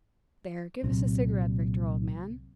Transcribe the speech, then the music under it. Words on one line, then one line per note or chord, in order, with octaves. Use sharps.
There, give us a cigarette, Victor, old man.
C2 A#2 F#3 C4